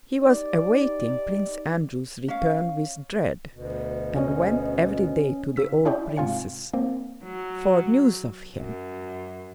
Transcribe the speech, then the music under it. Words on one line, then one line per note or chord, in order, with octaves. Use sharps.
He was awaiting Prince Andrew's return with dread and went every day to the old prince's for news of him.
D#4 G4 D5
C#4 F5
D2 B2
C#4 D#5
C#3 E6 B6
C#4 E4 G#4 C#5 D5 G5
G#2 C3 F4 F5 G#5 C#7
A#3 C4
F#3
F#2